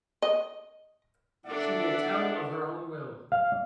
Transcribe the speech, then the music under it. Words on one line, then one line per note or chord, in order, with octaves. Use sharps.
She will tell of her own will.
D#5
D4 A4 D5 E5 F#5
F5